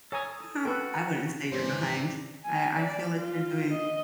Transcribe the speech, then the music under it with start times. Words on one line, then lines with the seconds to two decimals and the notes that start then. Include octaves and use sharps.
Uh, I wouldn't say you're behind. I I feel like you're doing
0.12 A4 C#5 G#5 A#5 D#6
0.65 F#4 A4 B4 G5
1.52 G#2 E3 A3 C5 D5
2.46 G#5
2.79 D5
3.19 F4
3.70 D#5